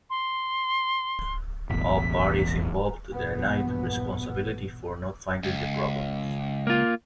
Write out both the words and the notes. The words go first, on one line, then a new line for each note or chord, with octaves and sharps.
All parties involved denied responsibility for not finding the problem.
C6
E1 A1 E2 B6
A#1 E2 G2 B2 B3
C#2
A#3 F4